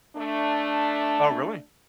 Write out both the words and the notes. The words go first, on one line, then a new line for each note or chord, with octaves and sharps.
Oh, really?
A3 D4